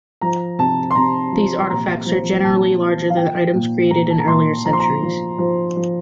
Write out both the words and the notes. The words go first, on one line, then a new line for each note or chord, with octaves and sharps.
These artifacts are generally larger than items created in earlier centuries.
F3 A#5
C3 A5
C6
C3 A#5
F3
A#2 A#5
F3
A#2 A5
F3
F5
F3 G5
A#2
A#2 A#5
A5
A#5
A#2 C6
F3 A#5
C6
A#5
F3
F3
F3